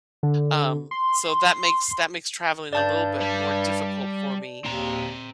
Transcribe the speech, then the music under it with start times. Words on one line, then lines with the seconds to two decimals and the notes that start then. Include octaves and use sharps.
Um, so, that makes, that makes traveling a little bit more difficult for me.
0.23 D3
0.91 C6
2.73 G2 D5 A5 G6
3.21 G3
4.65 D#2 C4 A#5